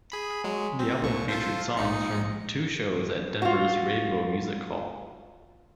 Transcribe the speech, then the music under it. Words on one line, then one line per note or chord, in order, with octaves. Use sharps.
The album featured songs from two shows at Denver's Rainbow Music Hall.
G#4 B5
F#3 G#3
C4
C2 A#2 C#6
F4 A4 C5
A#1 D#4 C#7
F4 F#4